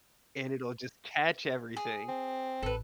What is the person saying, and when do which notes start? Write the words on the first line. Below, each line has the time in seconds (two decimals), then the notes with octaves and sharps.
And it'll just catch everything.
1.77 G#4
2.08 C4
2.63 A1 A4 B4